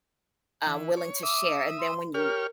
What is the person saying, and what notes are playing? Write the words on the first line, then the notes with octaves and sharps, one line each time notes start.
uh, willing to share, and then when you
E3
C#5
E5 D6 D#6
C6
G4 A#4 C#5 F6